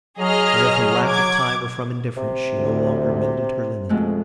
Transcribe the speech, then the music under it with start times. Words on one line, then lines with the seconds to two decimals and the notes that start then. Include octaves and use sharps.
Whether from lack of time or from indifference, she no longer mended her linen.
0.19 F#3 G#4 D#5 F6
1.06 D6 G#6
2.17 C3
2.58 D2
3.89 F2 B2 G#3 A3